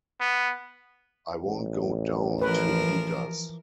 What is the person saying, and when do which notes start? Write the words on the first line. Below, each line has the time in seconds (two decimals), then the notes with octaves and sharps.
I won't go down till he does.
0.20 B3
1.44 A1
2.42 E3 F3 A#4 B4